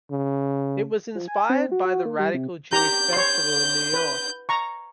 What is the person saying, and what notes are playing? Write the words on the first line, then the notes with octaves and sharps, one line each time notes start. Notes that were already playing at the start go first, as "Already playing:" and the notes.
It was inspired by the Radical Jewish Festival in New York.
C#3
F3
G#5
C4
F#4
F#4
A#3
G3
C3
G4 A#5 G6
C#5 C6
B4
A#5 C#6